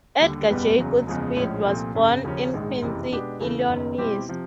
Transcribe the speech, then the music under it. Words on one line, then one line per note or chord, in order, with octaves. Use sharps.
Edgar J. Goodspeed was born in Quincy, Illinois.
D#2 D3 G3
F#1 E2 B2 G3 B3
F#1 E2 C#3 F#3
F#1 E2 C#3 F3 G#3
A#1 A2 F3 G#3 C#4
C2 A#2 F3 A3 C4
G#1 F#2 C#3
D#2 C#3 F3 A#3 C#4
A#1 G#2 D#3 G#3
F#1 F2 C3 E3
B2 G#3 B3 D4 G4
E2 C#3 E3 A3
F#1 F#2 D#3
B2 G3 C4 E4 G4
C3 F3